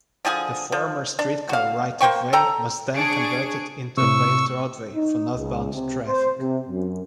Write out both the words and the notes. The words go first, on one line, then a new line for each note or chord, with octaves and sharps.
The former streetcar right-of-way was then converted into a paved roadway for northbound traffic.
D3 F3 G#4 G#5
F3
D4
F#4 F5
A#3 C5 G5 C#6
A4 G5 A#5
D4 G#4 C#6 D7
A2 C3 C#6 E6
D#4
C#2
C3
C5
C3
F#2